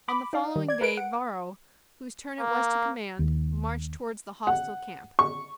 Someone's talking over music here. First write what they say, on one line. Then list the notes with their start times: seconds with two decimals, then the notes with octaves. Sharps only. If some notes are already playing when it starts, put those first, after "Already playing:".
On the following day Varro, whose turn it was to command, marched towards the hostile camp.
0.08 B5 D6
0.33 D#4 D5 F5
0.56 D#3 G3
0.69 D5 G#6
0.81 A#4 B4 D7
0.97 F#5
2.39 A#3
3.19 D#2
4.47 F#5
5.19 C#6